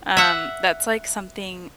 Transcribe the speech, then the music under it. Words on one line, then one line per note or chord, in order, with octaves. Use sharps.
Um, that's, like, something
E5 F#5